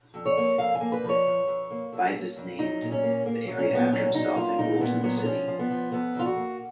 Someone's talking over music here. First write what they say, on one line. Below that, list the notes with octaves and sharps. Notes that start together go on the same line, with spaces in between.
Byzas named the area after himself and ruled in the city.
F2
C#5
A#3
F2 F5
G#5
A#3
B4
F3
C#5
F2
F2
A#3
F2
A#3
F2
F#3 D#4
A#2
C#4
A#3
A#2 A#3
F#3
C#4
A#2
B3
F#3 C#4
C#4
F#3 D#4
A#3 F4
A#2 D#4
A#2 B3
F#3 B3
B3
F3 C#4
F3
B3
F3
F2 B3
F2 F4
F#4
A#3